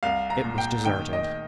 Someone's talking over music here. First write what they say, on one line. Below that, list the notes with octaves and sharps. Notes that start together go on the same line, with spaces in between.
It was deserted.
C2 F5
A#5
A#2
G5
D#3 G5
D#5